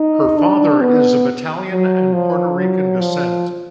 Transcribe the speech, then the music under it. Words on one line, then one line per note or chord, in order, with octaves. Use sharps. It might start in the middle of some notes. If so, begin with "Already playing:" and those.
Her father is of Italian and Puerto Rican descent.
Already playing: D#4
D4
B3
F#3
F3
F#3
F3